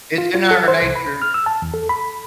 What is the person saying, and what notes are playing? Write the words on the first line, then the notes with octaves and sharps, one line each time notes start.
it's in our nature
F4
F4
A4
C5
C2
B5
F6
E6
A5
E2
A4
B5